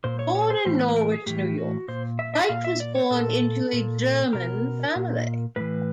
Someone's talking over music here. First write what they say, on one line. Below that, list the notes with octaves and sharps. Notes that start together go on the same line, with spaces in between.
Born in Norwich, New York, Bright was born into a German family.
A#2 C5
C#5
C#5
C5
A2 E3 C5
B4
A#4
G#4
A2 E3 G4
F#4
A#2 C5
E5
E5
A#2 F5
E5
D5
C#5
A#2 A4
A#2
B2 A#4
A#2
A2 E3 B4